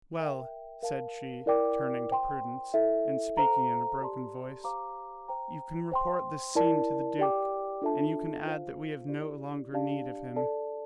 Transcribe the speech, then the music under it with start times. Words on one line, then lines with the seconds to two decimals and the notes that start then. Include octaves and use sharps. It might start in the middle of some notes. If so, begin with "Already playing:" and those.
"Well," said she, turning to Prudence, and speaking in a broken voice, "you can report this scene to the duke, and you can add that we have no longer need of him."
0.20 A#4 E5 G5
0.83 A#4 F5 A5
1.46 E4 A#4 D5 G5 D6
2.10 C5 G5 C6
2.74 E4 A4 E5
3.37 A4 C5 F5 A#5
4.01 G4 D5 A5 C6
4.64 G4 C5 F5 A#5 D6
5.28 C5 G5 A#5
5.92 C5 G5 C6
6.55 E4 A#4 D5 A5
7.19 G4 D5 G5 D6
7.82 D4 F4 A4 E5 A5
8.45 F4 C5 F5
9.09 E4 G4 D5
9.72 D4 G4 D5 F5 A5
10.36 A4 D5 A5